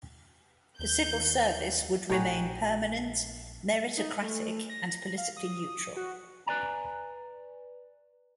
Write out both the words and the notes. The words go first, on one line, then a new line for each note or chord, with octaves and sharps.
The civil service would remain permanent, meritocratic and politically neutral.
D#2 G6
A#1 A2 D#4 F#4 C#5 G5 G#5
D#4
A3
A#6
F5
D#6
F#4
B4 D5 G#5 A#5